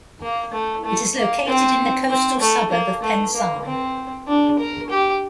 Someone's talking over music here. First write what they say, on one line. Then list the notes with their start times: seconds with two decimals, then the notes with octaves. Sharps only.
It is located in the coastal suburb of Pensarn.
0.22 A#3
0.53 A3
0.84 A3
1.16 A#3
1.47 C4
2.09 C4
2.40 A3
2.71 A#3
3.02 A3
3.34 A#3
3.65 C4
4.28 D4
4.59 A#4
4.90 G4